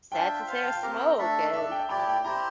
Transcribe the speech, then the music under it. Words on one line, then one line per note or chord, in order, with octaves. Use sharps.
sad to say, a smoke," and, um
D4 F4 C5 E5 G5
F4 C5 F5
A5
G5
C4 G4 A#4 F5
A3 D4 A4 E5
D4 A4 D5 E5
G5
E4 G4 D5 G5
A5
G5
E4 G4 C5 A#5